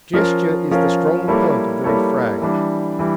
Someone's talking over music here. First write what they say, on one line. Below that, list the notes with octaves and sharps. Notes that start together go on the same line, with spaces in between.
Gesture is the strong point of the refrain.
F3 C#4 F4 A#4
F3 C#4 F4 A#4
G3 A#3 E4 A4 C#5
G3 A#3 E4 A4 C#5
E3 G3 D4
E3 G3